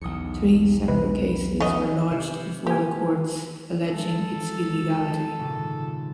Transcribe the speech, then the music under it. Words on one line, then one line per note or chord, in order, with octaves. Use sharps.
Three separate cases were lodged before the courts alleging its illegality.
B1 E2 D#6 C#7
C3 E3 G#3 B4
F3 B3 C#4 A4 D#5 E5
C3 E7
A#3 G4 G#5
F3 G#3 A4
G#1 A#2 C#3